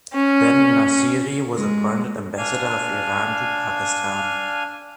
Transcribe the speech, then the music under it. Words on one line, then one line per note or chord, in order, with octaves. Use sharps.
Then Nassiri was appointed ambassador of Iran to Pakistan.
C#4
G#3
D4 F5 G#5